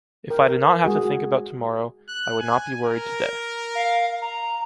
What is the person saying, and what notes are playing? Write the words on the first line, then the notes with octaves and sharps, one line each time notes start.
If I did not have to think about tomorrow, I would not be worried today.
A#4 G5
G#3 F#4 G#4
F#6
G#5
A#4
F5
A#5